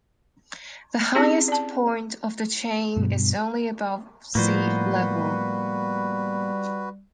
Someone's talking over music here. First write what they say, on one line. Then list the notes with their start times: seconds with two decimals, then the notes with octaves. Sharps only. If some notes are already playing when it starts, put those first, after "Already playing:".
The highest point of the chain is only above sea level.
1.15 C4 C#4 E4 G4 G#4
1.48 D5 A5
2.96 G2 B2
4.35 A2 F3 G3 A#3 B3 F#4 B4 C5